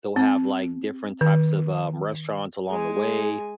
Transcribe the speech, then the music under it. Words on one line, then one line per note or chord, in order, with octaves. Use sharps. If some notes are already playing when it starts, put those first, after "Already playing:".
they'll have, like, different types of, um, restaurants along the way.
C4
D#3
G#3 G#5